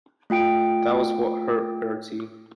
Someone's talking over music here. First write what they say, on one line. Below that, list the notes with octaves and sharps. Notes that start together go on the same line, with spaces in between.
That was what hurt, Bertie.
A3 F4 G5 D7